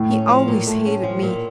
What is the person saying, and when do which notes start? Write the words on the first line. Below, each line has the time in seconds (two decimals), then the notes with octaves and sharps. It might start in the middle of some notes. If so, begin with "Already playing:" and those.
He always hated me.
Already playing: A2
0.11 C#4
0.28 F3
0.48 A#2
0.67 A3
0.85 C#4
1.04 F3
1.22 A#2